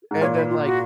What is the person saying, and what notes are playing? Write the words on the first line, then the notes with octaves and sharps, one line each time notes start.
and then, like
G#2
A#2 C#5
B4
F4
F#4